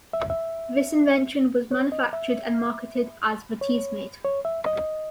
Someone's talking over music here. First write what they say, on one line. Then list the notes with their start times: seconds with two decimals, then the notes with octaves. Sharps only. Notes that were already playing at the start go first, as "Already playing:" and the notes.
This invention was manufactured and marketed as the Teesmade.
0.13 E5
0.30 E5
1.71 C#5
1.92 D#5
2.13 E5
3.61 C#5
4.25 C#5
4.45 E5
4.66 D#5